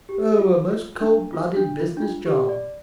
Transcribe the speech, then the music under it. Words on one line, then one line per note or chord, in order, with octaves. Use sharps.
Oh, a most cold-blooded business, John!
G4
F4
F4
D4
F4
D4
F4
D4
F4
G4
D5